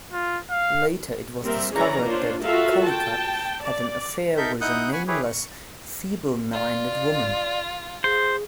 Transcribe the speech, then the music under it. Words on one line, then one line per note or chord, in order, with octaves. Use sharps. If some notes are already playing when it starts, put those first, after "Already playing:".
Later, it was discovered that Kallikak had an affair with a "nameless feeble-minded woman".
F4
F5
G3 A#3 C4 A#4 E5
E3 C#4 G#4 C#5 D5 A#5
A#3 D4 F4 C5 C#5
F4 F#4 A4 A#4 E5 F5
G5 A5
D5
D#4 A4 A#4 E5 G6
D#4 E4 F#5 D#6 F#6 G6
F#5 G#5 B5 C#6
E4 G4 G#4 B4 C#5
C#6
F4 D5
G#4 C5